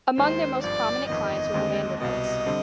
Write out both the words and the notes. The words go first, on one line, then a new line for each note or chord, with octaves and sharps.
Among their most prominent clients were the Vanderbilts.
D#2 D#3 G#3 C5
G#1 G2 F3 D5
G1 F2 D#3 B3 D#5
D#2 D3 G#3 C4 G4
C2 B2 B3 D#5
D3 G3 C4